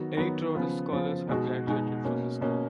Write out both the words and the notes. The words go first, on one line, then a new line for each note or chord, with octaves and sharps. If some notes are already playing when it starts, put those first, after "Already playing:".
Eight Rhodes Scholars have graduated from the school.
Already playing: D#3 F#3 B3 F#4
D#3 F#3 B3 F#4
C#3 F3 B3 F4
C#3 F3 B3 F4
B2 G#3 D#4 F#4
B2 G#3 D#4 F#4
B2 A#3 C#4
B2 A#3 C#4